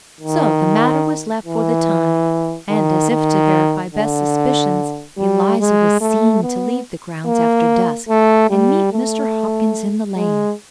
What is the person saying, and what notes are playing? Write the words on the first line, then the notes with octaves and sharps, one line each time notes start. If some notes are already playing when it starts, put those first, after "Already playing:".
So the matter was left, for the time; and as if to verify Beth's suspicions Eliza was seen to leave the grounds after dusk and meet Mr. Hopkins in the lane.
D#3
E3
D#3
D#3
D3
G3
G#3
A3
B3
A#3
A3
G3
A3
G#3